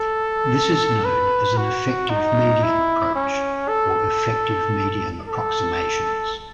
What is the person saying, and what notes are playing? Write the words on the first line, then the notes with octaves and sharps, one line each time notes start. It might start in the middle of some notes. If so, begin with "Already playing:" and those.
This is known as an effective medium approach, or effective medium approximations.
Already playing: A4
B4
F#4
D#4
E4
C#4
A4
A4